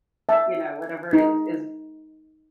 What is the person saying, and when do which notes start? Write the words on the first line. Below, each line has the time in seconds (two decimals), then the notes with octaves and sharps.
you know, whatever is is
0.29 E5 A5
1.13 D#4